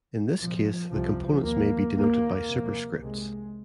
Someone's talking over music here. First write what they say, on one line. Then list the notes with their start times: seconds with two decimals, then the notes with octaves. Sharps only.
In this case, the components may be denoted by superscripts.
0.39 C2 A#2 F3
0.91 C2 C3 F3
1.43 D#2 A#3
1.95 D#2 A#3
2.47 F2 C3
2.99 C2 C3 G#3